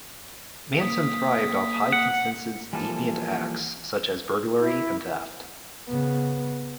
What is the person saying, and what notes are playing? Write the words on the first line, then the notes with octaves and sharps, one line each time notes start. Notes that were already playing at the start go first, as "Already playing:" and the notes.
Manson thrived off of high-consensus deviant acts such as burglary and theft.
A#3 D#6 B6
F#5
E3 F3 G3 A#3 A4
E4
C#3 B3